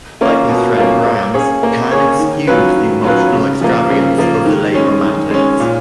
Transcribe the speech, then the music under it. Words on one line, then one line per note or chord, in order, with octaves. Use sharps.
Like his friend Brahms, Kahn eschewed the emotional extravagance of the late Romantics.
A#3 C#4 F4
B2
A#3 C#4 F4
A#3
C#4 G#4 C#5
A#3
C#4 G#4 C#5
D#3
F#3 C#4 F4 B4
D#3
F#3 C#4 F4 B4
C#3
F3 A#3
C#3
F3 A#3
D#3
G#3 C#4
D#3
G#3 C#4
A#2